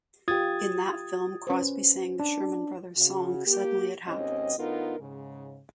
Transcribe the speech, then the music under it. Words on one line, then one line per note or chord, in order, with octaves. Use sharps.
In that film, Crosbie sang the Sherman Brothers' song, "Suddenly It Happens".
F4 G4 D#6 G#6 A6
C#4 B4 C5
D4
C#3 F#4
A#3 G4
D#2 G#2 C4 C#4 D#5
D2 D3 B3 D#4 F4 A#4
G#2 C#3